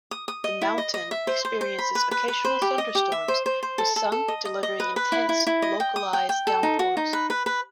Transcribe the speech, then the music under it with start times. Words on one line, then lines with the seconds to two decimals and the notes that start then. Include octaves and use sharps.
The mountain experiences occasional thunderstorms with some delivering intense, localized downpours.
0.11 D#6
0.28 D#6
0.44 D#5
0.62 E4
0.78 D#5
0.94 D#5
1.11 E5
1.27 C5
1.45 C5
1.61 C5
1.79 B5
1.95 B4
2.11 B4
2.28 B4
2.45 C5
2.62 G4
2.78 D#5
2.95 G4
3.12 E5
3.28 C5
3.46 C5
3.63 C5
3.78 A4
3.96 A4
4.12 A4
4.28 D#5
4.45 D#5
4.63 D#5
4.80 B4
4.96 B4
5.12 E4
5.29 E4
5.47 E4
5.62 D#5
5.80 G5
5.96 D#6
6.13 G5
6.29 G5
6.47 A4
6.63 D#4
6.79 F#4
6.97 D#4
7.13 B4
7.30 B4
7.46 B4